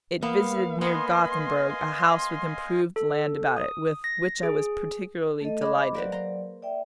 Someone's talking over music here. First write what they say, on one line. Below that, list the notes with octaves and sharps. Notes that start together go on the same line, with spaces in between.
It visited, near Gothenburg, a house with improved land about it, with which I was particularly delighted.
A#3 B3 F5
B3 D#5 F5 G#5 C6
C6
A4
D#6
A#6
G#4
A3 A4 D#5
G#3 C5 B5 D6
F#3 A#3 B4 C5 D5
A#5 C6
D5 E5 G5